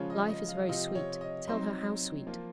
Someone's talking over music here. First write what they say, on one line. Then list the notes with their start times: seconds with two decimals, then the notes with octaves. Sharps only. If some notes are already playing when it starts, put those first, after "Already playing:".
Life is very sweet,--tell her how sweet.
Already playing: C#3 F3 G#3 C#4 F4 C#5
0.10 D#5
0.29 D#5
0.48 F5
0.68 C3 F3 C4 F4 D#5
0.95 C#5
1.21 D#5
1.48 F#3 C4 D#4 C6
2.27 F3 A#3 F4